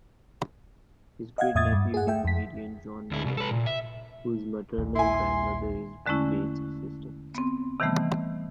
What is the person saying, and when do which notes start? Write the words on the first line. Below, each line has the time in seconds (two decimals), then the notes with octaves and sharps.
His great-nephew is comedian John Mulaney, whose maternal grandmother is Bates' sister.
1.38 D#5 F5 F#5 G#6
1.55 E2 A2 E5 D#6 G#6 A6
1.72 G2
1.94 G#4 F#5
2.07 A3 E5 G5
2.25 F2 B6
3.11 D2 E4
3.26 C2 C3
3.37 A4 B4
3.51 A#2
3.66 E5
4.78 A#1 D#2 A#2
4.95 E4 G#5 C6
6.06 E2 D3 G#3 A3 C#4 E4
7.35 B3 C4
7.80 C3 D#3 E3 G3 A3 B3